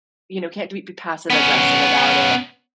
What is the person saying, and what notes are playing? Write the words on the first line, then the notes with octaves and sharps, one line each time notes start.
you know, can't do it be passive aggressive about it
B3 C#4